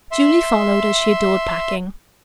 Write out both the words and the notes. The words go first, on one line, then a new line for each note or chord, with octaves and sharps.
Julie followed, as she adored packing.
E5 C6